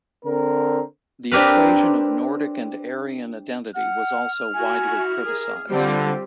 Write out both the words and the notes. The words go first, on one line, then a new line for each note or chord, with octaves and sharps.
The equation of Nordic and Aryan identity was also widely criticized.
D3 C4 A#4
C4 D4 G4 A#4 B4
F#5 F6
E4 F#4 G#5
G#4 A#4
D3 G3 C4 F4 G4